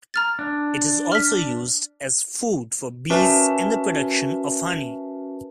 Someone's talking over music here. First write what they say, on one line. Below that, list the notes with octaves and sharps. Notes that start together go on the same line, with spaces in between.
It is also used as food for bees in the production of honey.
A#5 F6 A6
D4
F6 B6
C#4 F#4 A#4 B4 E5 A5